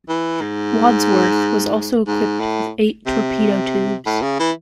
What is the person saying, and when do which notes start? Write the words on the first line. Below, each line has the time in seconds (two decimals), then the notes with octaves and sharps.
"Wadsworth" was also equipped with eight torpedo tubes.
0.08 E3
0.41 G#2
2.07 G#2
2.40 A2
3.06 C3
4.06 A2
4.22 C#3
4.39 E3